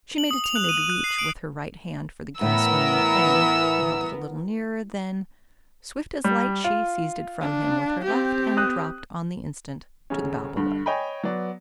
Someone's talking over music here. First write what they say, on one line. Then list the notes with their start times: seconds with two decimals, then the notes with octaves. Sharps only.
She made a timid reach with her right hand for the gay swinging thing--he held it a little nearer--then, swift as light, she seized it from him with her left, and dropped on the instant to the bough below.
0.18 F#7
0.31 D#6
0.44 F7
0.56 F#6
0.69 D#7
0.90 F#6
1.04 C7
1.19 D7
2.41 A2 E3 B3 A#4 E6
6.24 G3
6.64 F4
7.41 D4
8.04 C4 G4
8.57 D#6 F#6
10.10 D#1 C#3 C#4
10.57 G2 D3
10.86 C#5 D#5 G5 G#5 B5
11.23 F#3 B3 D5